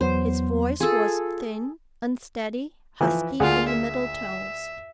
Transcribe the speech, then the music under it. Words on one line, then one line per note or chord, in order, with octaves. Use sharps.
His voice was thin, unsteady, husky in the middle tones.
E2 F#3 B3 C5
F4 G#4 A4
E3 F3
D2 A#3 F4 G#4 F#5
E5